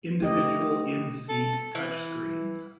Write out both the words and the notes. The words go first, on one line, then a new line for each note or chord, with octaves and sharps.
Individual in-seat touchscreens.
A3 G4 D#5
A4
E3